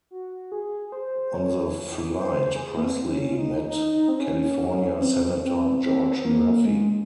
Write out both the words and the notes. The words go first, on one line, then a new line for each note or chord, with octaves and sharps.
On the flight Presley met California senator George Murphy.
F#4
G#4
C5
C#5
C5
G#4
A#3
C4
C#4
F4
D#4
D#4
D#4
C4
C#4
C4
C4
C4
C4
A#3
G#3